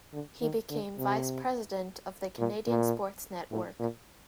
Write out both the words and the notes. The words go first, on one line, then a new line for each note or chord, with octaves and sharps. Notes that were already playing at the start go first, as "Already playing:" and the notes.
He became vice-president of the Canadian Sports Network.
D3
D#3
D3
C3
A#2
A#2
A2
A#2